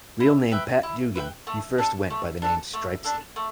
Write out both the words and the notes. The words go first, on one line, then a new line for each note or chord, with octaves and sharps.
Real name Pat Dugan, he first went by the name Stripesy.
E4
B4 E5 G5
E4
B4 E5 G5
A3
D4 A4
A3
D4 A4
A3
D4 A4
A3